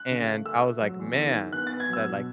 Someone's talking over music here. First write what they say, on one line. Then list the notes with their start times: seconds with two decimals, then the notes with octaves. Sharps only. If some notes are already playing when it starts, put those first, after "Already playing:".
And I was like, "Man," that, like,
Already playing: F#6
0.11 C#3
0.28 A3
0.45 A3 E6
0.63 A3
0.81 F#3
0.99 E2
1.18 D#3
1.36 D#3
1.52 B3 F#6
1.67 B3 A6
1.80 G#6
1.89 F#3 E6
2.07 B2